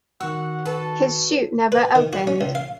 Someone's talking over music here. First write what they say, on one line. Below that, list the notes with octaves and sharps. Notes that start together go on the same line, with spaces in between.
His chute never opened.
D#3 F#4 F#5 E6
F#4 A4 B4 A5
B4
D#3
F#4
C#4
C#2
F5